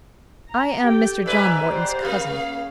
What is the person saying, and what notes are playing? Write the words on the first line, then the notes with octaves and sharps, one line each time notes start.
"I am Mr. John Morton's cousin."
A#5
G4 A4 G5
G#2 B4 D5 E5 G#5
G4 C5 D5
A#3 C#4 G#4 F5